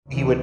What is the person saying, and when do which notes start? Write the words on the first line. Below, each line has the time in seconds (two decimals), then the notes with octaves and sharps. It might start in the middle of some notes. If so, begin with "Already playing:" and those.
he would,
0.10 D2 C#3 E3